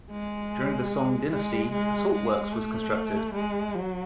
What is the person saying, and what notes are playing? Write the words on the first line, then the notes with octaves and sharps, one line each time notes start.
During the Song Dynasty, a salt works was constructed.
G#3
G#3
G#3
G#3
A3
G#3
F#3